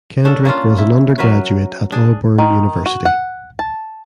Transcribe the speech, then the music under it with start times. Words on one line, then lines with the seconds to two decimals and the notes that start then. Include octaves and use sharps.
Kendrick was an undergraduate at Auburn University.
0.25 C#4 D4 A4
0.45 A#3 C#4 D4 F4
0.78 E4
1.18 F#3 A#4 B4 C#5
1.92 D4 G#4
2.38 D#3
2.86 F#4
3.05 F#5
3.59 A5